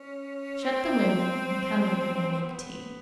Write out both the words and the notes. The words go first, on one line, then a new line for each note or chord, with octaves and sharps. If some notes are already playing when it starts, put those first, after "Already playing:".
Shut the window, and come in and make tea.'
Already playing: C#4
C4
B3